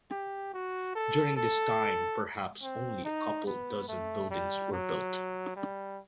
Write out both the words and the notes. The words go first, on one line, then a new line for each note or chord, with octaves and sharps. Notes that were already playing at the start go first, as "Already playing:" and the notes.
During this time perhaps only a couple dozen buildings were built.
G4
F#4
A4
A4
C4
D#4
B3
A3
G3
F#3
G3